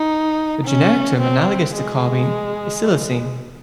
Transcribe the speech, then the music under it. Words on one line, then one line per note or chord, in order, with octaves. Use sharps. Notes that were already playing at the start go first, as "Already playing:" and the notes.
The generic term analogous to carbene is silicene.
Already playing: D#4
C#4
C4
G#3